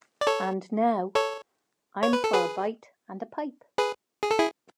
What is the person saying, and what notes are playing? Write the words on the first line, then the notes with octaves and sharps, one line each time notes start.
And now I'm for a bite and a pipe.
D5
A4 C#5
A4 C#5
C#5
B4
A4
G#4 B4
G#4 B4
G#4
A4
E4 G#4